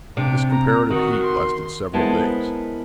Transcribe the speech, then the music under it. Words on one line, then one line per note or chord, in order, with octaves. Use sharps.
This comparative heat lasted several days.
C3 D4 D7
A#5
D#3 F#4
C6
G#3 B3 E4 A#4 C5 A5